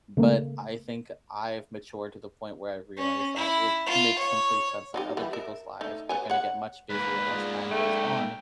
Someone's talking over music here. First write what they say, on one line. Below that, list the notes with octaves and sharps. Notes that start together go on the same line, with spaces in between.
But I think I've matured to the point where I realized that it makes complete sense that other people's lives are gonna get much busier as time goes on
C#3 A3 A#3
C#4
E4
F4
C#5
F#3 D#4 G4
E3 G3
A#4 E5
A3 D#4
B4 C#5 G#5
C#5 F#5
G#2 A#3 B4
B3 F4 G#4 D5
A3 G5